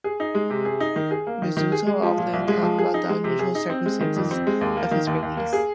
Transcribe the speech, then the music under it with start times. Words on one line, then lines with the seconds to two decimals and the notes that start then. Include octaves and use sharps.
Rizzuto often talked about the unusual circumstances of his release.
0.04 G#4
0.20 D#4
0.35 G#3
0.50 C3
0.65 G#4
0.80 D#4
0.96 D#3
1.11 G#4
1.27 A#3
1.42 D#3
1.57 D#3
1.72 G#4
1.87 G#3
2.03 F3
2.18 A#2
2.33 C2
2.48 G#3
2.63 F3
2.79 G#4
2.94 D#4
3.09 G#3
3.24 C3
3.39 G#4
3.55 D#4
3.70 C4
3.86 G#3
4.01 D#3
4.16 F2
4.31 C4
4.47 G#3
4.61 D#2
4.77 A#3
4.91 D#3
5.07 D#2
5.22 D#2
5.37 A#3
5.53 G#4